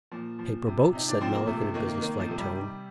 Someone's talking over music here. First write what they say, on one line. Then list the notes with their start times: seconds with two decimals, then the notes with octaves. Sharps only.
"Paper boats," said Melick, in a business-like tone.
0.11 A#2 F3
0.39 F3
0.67 C3
0.93 C3 D#4
1.08 D4
1.21 F3 C4
1.35 A#3
1.47 C3 A3
1.61 A3
1.74 D#3 A#3
1.88 A#3
2.01 D#3 A#3
2.20 F3
2.28 C3 A3
2.38 G3